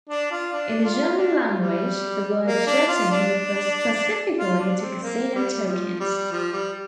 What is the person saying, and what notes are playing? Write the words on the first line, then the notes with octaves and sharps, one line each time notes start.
In the German language, the word "Jeton" refers specifically to casino tokens.
D4
F4
D4
F4
D4
F4
G3
A#3
D4
F4
D4
F4
D4
C4
A#3
G3
F3
G3
F3
G3